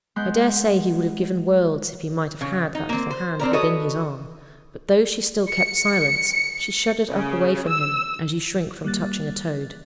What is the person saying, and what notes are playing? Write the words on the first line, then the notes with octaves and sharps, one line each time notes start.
I dare say he would have given worlds if he might have had that little hand within his arm; but, though she still kept silence, she shuddered up away from him, as you shrink from touching a toad.
G#3 B3 C6 F#6 G6
C#3
D#4
A#3 C4
C5
C4 D4 A#4
F#4 A4 B4 C#5 D#5
C#7
C#3
E6
G3 A#3 F#6 A6